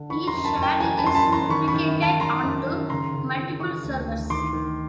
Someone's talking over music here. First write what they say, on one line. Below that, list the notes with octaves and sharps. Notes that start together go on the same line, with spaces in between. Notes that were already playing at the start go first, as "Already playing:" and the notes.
Each shard is replicated onto multiple servers.
Already playing: D3
E3 B5 C#6
A#5 C6
F#2
A5 B5
F#2
G5 A5
E3 G#5 A#5
A5 B5
F#2 C6
A5 B5
E3
A#5 C6
D#3 B5 C#6
B5 C#6
D#3
D#3
A5 B5
D#3 A#5 C6
F#2
D#3
C#3 A#5 C6
C#3
E3
E3 C#6 D#6
D2
D2
D#3 C6 D6
D#3